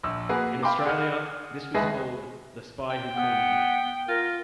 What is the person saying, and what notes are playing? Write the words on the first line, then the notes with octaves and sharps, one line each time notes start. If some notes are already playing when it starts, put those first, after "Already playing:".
In Australia, this was called "The spy who conned me".
A#1 E6
A#3 F#4 G#4 B4
F5 G5 B5 C6 D6
G#4 F#5 F6
D#2 G#3 G#4 B4 E5
G5
B3
F4 A#4